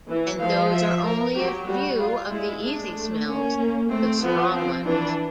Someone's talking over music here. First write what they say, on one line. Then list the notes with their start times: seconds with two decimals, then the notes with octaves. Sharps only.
And those are only a few of the easy smells — the strong ones.
0.09 E3
0.40 F3 F5
0.72 E5
1.04 A#4
1.36 F#3 G4
1.67 G3 F#4
1.99 F4
2.31 G#3 E4
2.63 G#3 D4
2.95 A3
3.26 A#3 C#4
3.58 A#3
3.90 A3 C4
4.22 F3 B3
4.54 C4
4.85 E3 D4